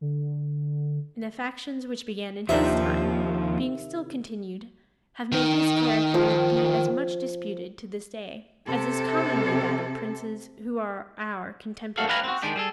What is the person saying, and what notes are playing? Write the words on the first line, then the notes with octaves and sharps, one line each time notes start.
And the factions which began in his time, being still continued, have made his character be as much disputed to this day, as is commonly that of princes who are our contemporaries.
D3
D#2 C3 D#3 F3 D4 E5
D#3
F3
C3 A4
G#2 A3 A#3 F#4 A4 F5
G4 B4 F5 G#5 A#5 B5
C4 F#4
D#3 G#3 D4 G4
G3 G#4 A4